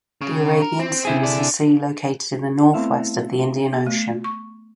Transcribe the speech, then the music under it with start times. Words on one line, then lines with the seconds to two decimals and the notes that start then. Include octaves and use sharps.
The Arabian Sea is a sea located in the northwest of the Indian Ocean.
0.21 C#3
0.62 A#4
0.79 C4
1.05 C3 E4 G#4
1.24 A4 D5
2.73 A3 B3 C4 E4 E5 F5
3.73 B3
3.87 A3
4.24 C#6